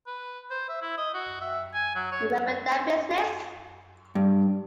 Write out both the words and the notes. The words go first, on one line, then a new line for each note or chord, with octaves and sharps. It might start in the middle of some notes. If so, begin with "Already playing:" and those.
You remember that business?
B4
C5
E5
E4
D#5
F#4
E5
G#5
F#3
C#5
G2